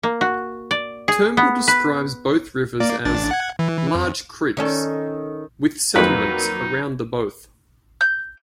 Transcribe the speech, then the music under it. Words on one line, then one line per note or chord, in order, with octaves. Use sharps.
Turnbull describes both rivers as, "large creeks" with settlements around the both.
A#3
F#4
D5
G#4
B3
B4
A#3 D5
A1 D4 A6
F#5 G#6
E3
F2
D#3 C#4 A4
F2 D#3 F#3 A#3 D#4 B4
G6